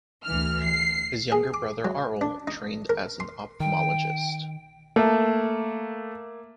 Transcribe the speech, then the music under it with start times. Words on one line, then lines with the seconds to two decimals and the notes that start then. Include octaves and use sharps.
His younger brother Aurel trained as an ophthalmologist.
0.25 D2 E3 F6
0.62 C7
1.32 G#4
1.54 D6
1.85 F#3
2.21 D4
2.48 D#4
2.89 A#4
3.20 C6
3.60 D#3 G5
4.96 A3 A#3